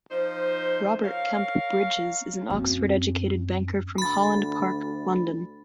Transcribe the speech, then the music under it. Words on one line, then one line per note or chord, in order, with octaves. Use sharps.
Robert Kempe Brydges is an Oxford-educated banker from Holland Park, London.
F3 D#4 C5
A#4 C#5 F5
F#2 C4
D2 B5 A6